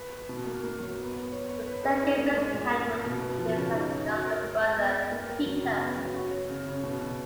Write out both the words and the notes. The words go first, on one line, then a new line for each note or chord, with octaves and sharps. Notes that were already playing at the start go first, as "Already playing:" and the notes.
The second Viscount was succeeded by his younger brother, Peter.
Already playing: B4
B4
B2
A#3
A#3
F#3
B3
B3
C#5
C#5
B4
G#4
D#4
A#3
G#3
A#2
A#3
A#3
B2
B2
F3
C#3
D#4
C#5
F#4
A#4
G#3
G#3
B3
B3
A#3
A#4
F#3
C#3
B3
F#3
F#4
C#5
C#3
C#3
B2
B2